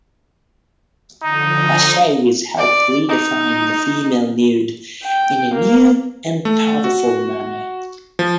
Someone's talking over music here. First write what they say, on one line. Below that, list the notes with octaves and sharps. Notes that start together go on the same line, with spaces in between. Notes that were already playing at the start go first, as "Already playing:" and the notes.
Lachaise helped redefine the female nude in a new and powerful manner.
D3 F3 D#4
D5
D#4
G5
A#3
A3
F#4
F3